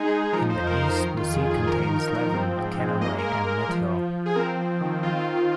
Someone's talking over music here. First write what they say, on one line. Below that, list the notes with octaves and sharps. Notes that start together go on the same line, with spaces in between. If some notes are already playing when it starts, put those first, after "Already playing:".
In the east, the seat contains Leven, Kennoway and Methil.
Already playing: G#3 D#4 G#4
D#4
F3 A#4
C5
F2
A#4
F2
A#4
D#3 A#4
F4
F2
G#4
D#3
G#4
F3 A#4
D#4
F3
C4
G#2
G#3
A#3 D#5
A#4
A#3
A#3
F3
F3
F3
G#4
C4 A#4
C4
D#3
C4 F4
C4